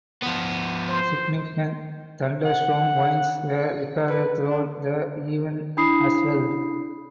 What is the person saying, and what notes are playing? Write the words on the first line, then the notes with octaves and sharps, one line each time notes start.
Significant thunderstorm winds were recorded throughout the event as well.
F3 B3
C5
F#5
B4
D4
D4 E4 B5 D#6 C7